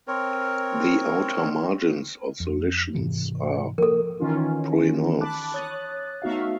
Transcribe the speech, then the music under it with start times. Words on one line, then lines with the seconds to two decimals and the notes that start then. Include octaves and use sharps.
The outer margins of the lichens are pruinose.
0.08 C4 A#4 C#5
2.40 F2
2.95 G#2 C3 E3
3.78 F3 A#3 A4 A#4
4.20 D#3 E3 C#4 D#4 F4
5.21 A5 B5 D6 F#6
5.54 C#5 D#6 F#6 A6
6.22 A3 B3 D#4 F#4 E5 F5